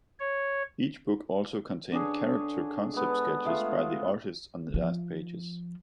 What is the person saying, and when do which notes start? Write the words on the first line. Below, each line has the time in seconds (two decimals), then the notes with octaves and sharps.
Each book also contained character concept sketches by the artists on the last pages.
0.19 C#5
1.92 D3 D4 G#4 C#5
2.94 G#3 B3
3.45 G#3 A3 F4
4.74 F3